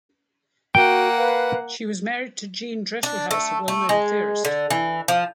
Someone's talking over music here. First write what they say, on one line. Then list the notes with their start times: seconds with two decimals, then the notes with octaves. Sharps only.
She was married to Gene Dresselhaus, a well-known theorist.
0.75 A#3 F#4 F#5 G5
1.16 B4 F5
3.03 D4
3.31 A3
3.68 A3
3.89 G#3
4.45 D3
4.70 E3
5.08 F3